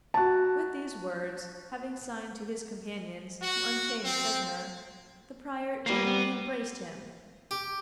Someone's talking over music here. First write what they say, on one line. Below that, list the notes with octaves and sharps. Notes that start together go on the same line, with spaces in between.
With these words, having signed to his companions to unchain the prisoner, the prior tenderly embraced him.
F#4 A5
F#4
C4
G3 A#3 B3 C7
B3
G4